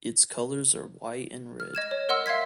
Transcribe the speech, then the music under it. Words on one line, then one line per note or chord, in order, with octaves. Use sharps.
Its colors are white and red.
F6
D#5 G#6 E7
C#5
A#4 D#5 F#5 C6 E6
E5 F5 C6 G#6 B6